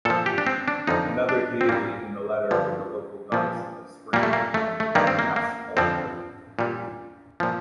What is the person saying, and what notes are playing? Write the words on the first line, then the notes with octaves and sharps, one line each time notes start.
Another deity in the letter was a local goddess of springs named Kaskalkur.
A#2 F3 A4
G4
D4
C4
D4
F2 D3 F3 D#4
D4
C4
A#2 G3 A#3
G2 D3 F3
A#2 F3
A#2 G3 A#3
A3
A#3
A3
A3
G2 D#3 G3 A#3
C4
A#3
A#3
F2 D3 F3 C4
A#2 G3
A#2 F3